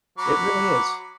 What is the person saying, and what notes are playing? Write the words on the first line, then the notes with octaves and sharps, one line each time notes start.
It really is.
F#3 B5 D6